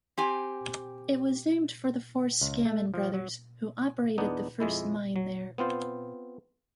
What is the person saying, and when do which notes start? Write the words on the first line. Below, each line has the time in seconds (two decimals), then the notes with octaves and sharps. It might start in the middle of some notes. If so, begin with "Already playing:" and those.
It was named for the four Scammon brothers, who operated the first mine there.
0.18 C4 G4 G#5
2.41 C#2
2.65 A3
2.94 F3
3.14 F#3
4.18 E2 B3 D4 D#4
4.60 F2 G#3 E4
5.16 F#3
5.58 B3 C4 F4 C5